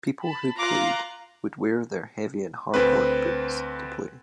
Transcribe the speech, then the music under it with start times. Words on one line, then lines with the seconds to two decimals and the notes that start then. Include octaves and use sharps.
People who played would wear their heavy and hard work boots to play.
0.24 A5 B5
0.59 F4 F5 A#5 C6 D6 F#6
2.74 D2 C4 B4